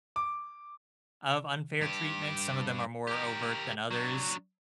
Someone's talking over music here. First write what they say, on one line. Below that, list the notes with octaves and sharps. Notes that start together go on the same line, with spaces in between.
of unfair treatments. Some of them are more overt than others.
D6
G2 G4
G4 A#4
F#3 D4